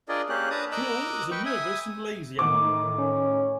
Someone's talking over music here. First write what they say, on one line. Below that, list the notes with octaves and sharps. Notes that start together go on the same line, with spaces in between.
Claude is a nervous and lazy animal.
D4 F4 G#4 A#4 D5 D#5
A#3 C#4 G4 G#4 F#6
D4 B4 A5 A#5 D#6
A#4 D#5 D6 E6 F#6
B4 G5 C#6
E5 G#5 D#6
A2 D#3 D6
C#4